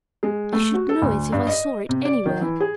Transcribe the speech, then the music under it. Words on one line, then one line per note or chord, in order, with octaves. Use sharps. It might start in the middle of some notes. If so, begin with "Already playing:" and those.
I should know it if I saw it anywhere.
G#3
A3
F#4
A4
D2
G2
D#5
C3
D5
D#3
E3
G#4